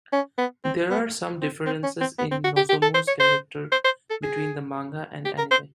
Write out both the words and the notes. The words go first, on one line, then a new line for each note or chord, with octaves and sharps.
There are some differences in Nozomu's character between the manga and anime.
C#4
B3
C4
B3
C4
C4
C#4
C4
B3
C4
F#4
G4
G4
A4
C5
C#5
C5
C5
C5
A4
G#4
G4
A#4
C5